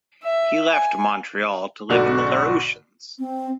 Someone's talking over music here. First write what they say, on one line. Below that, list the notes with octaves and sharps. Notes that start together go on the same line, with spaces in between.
He left Montreal to live in the Laurentians.
E5
G#5
B1 G#2 D3 F#4 D5 C#6
C4